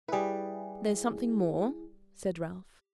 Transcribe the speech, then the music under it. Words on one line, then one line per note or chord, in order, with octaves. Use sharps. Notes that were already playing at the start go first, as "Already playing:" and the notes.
'There's something more,' said Ralph.
G3 E4 G#4 B4